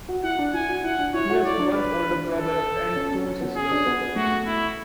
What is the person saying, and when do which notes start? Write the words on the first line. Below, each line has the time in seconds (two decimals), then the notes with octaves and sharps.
He has one older brother and two sisters.
0.08 F#4
0.23 E4 F#5
0.39 D4
0.54 E4 G#5
0.69 F#4
0.84 E4 F#5
0.99 D4
1.14 E4 C#5
1.30 F#4
1.44 E4 D5
1.59 D4
1.74 B4
2.35 A4
2.96 C#4
3.11 C#4
3.26 C#4
3.41 B3
3.56 C#4 G#4
3.71 D4
3.86 B3
4.01 B3
4.16 A3 F#4
4.46 E4